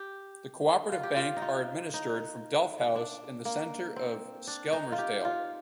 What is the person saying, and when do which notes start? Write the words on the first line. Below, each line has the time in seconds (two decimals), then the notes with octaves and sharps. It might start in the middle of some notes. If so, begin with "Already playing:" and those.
The Co-operative Bank are administered from Delf House in the centre of Skelmersdale.
Already playing: G4
0.92 F4
1.03 G4
1.16 F4
1.37 D#4
1.42 F4
1.94 D#4
2.95 D4
3.45 A#3
3.96 C4
4.47 D4
4.73 D#4
4.92 F4
4.98 G4
5.25 F4